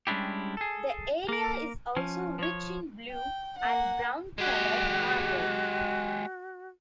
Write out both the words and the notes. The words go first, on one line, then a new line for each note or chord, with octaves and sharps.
The area is also rich in blue and brown colored marble.
G3 G#3 C#4 D4 E4 G4
G#4 A4
A#3 A#4
F3 C#4
F3 C#5
G5
A#3 F#5
G#3 F#4 G4